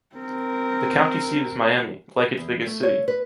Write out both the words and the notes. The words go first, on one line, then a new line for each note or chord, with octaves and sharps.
The county seat is Miami, like its biggest city.
C4 A#4
E2
A3
C#5
B4